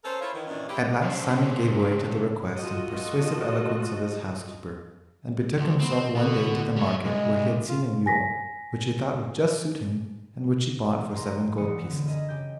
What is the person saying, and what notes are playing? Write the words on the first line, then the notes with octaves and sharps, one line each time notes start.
At last Simon gave way to the request and persuasive eloquence of his housekeeper, and betook himself one day to the market where he had seen a mule, which he thought would just suit him, and which he bought for seven gold pieces.
C#4 A4 A#4 C5
E4 F4 C#5
D#3 E3
G2 A#2 D#3 E3 C#4 D4
G#3 E4 F4 G4
C#3 C4 D4
F4 F#4 A4 D#5
D2
B3 C4
D3 B3 F#4
G3 C#5
C2 G#3
F4
G#5 A#6 B6
E1 C2
A#5 C6 A#6 C7
C2 F#2 E3 B3 D#6 C#7
D3
G#4 A#4 D#5 E5
C#3 G4 G6